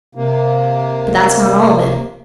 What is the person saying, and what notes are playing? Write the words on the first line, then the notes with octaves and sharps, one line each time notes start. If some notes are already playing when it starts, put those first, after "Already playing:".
But that's not all of it.
C3 A#3